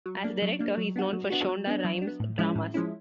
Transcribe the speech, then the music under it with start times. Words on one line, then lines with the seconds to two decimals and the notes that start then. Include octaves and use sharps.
As director, he is known for Shonda Rhimes' dramas.
0.06 F#3
0.24 A#3 D4
0.42 F#3
0.59 A#3 D4
0.77 F#3
0.96 B3 D4 F#4
1.13 F#3
1.30 B3 D4 F#4
1.49 F#3
1.67 B3 D4
1.85 F#3
2.02 D4
2.07 B3
2.20 A2
2.38 F3 G#3 C#4 E4
2.55 A2
2.74 F3 G#3 C#4 E4